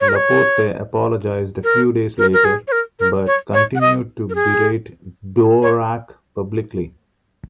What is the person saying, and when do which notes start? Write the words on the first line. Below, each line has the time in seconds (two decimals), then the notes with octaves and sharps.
Laporte apologized a few days later, but continued to berate Dvorak publicly.
0.01 C#5
0.09 A#4
0.16 C#5
1.64 A#4
2.18 A#4
2.33 A#4
2.45 G#4
2.68 C#5
2.72 A#4
3.00 A#4
3.27 C#5
3.54 C#5
3.75 F#5
3.81 D#5
4.30 A#4
4.35 G#4
5.63 C#5